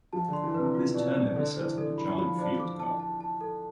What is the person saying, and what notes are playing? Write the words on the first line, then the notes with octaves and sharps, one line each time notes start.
This turnover set up a Giant field goal.
F3 A5
D3
C6
E3
C3 B4
F4
B2 D5
C3 D5
D3 A4
E3 C5
D3 A4
E3 B5
F3 B5
D4 C5
D6
A5
A5
A5
A4